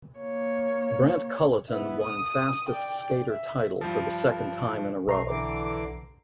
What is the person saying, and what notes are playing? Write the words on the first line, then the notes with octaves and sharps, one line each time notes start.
Brent Cullaton won Fastest Skater title for the second time in a row.
A#3 C#5
B3 E4
D#6
D5 G5
E5
G2 F3
B1 A3 A#5 C7
D3 E3 D6